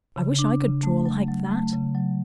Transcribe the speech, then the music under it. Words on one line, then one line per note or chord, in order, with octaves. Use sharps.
I wish I could draw like that.
C#3
D4
C#3
A3
F#3
F#3
A3
C#3
F#3